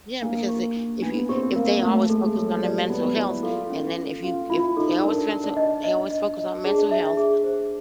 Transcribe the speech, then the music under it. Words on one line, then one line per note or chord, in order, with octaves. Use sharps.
Yeah, because i if you if they always focus on their mental health and, then, if you if they always trying to they always focus on mental health
A#3 D4
G4
D4
B3 D4
C4 G4
A#3 A#4
A3 F#4
G#3 A4
F#3 A4
G3 D5
B3 F#4
E4 D5
F4 A4
C#4
A4
C#4 F4
E4 F4
D#4 A4
D4 A#4
F#4
D4
D#5
D#5
D#5
D#5
D4 G#4
E5
G#4
C5